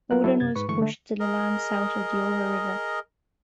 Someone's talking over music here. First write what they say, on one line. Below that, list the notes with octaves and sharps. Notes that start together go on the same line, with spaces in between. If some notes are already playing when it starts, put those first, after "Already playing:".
Odon was pushed to the lands south of the Obra River.
F#3 A#3 F4 A#4 F#6
F#3 E4 A4
F#2 C3 G#6 A6
G#2 B4 C#6
G2 D3 E3 G#3 A3 C#6
D3 A3
G#4 A#4 D#5